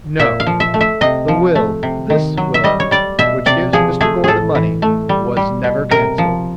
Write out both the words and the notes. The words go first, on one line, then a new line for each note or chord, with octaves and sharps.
"No! the will--this will--which gives Mr. Gore the money was never cancelled."
A#2 E5
F5
F3
E5
A3
E5
C3 D#5
F3
A3
C3
D#3
F#3
E5
G3 D#5
C#5
G3 D5
B2 E5
C3 D5
F3 G#4
A3 G#4
A2 G#4 A4
E3
A3
G3
G3
B2
C3 A#4
F3